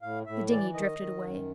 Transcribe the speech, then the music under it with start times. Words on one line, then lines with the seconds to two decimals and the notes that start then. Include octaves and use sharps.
The dinghy drifted away.
0.02 A2 F5
0.26 A2 E5
0.50 E3 D5
0.74 D#3 D#5
0.98 D#3
1.22 F#2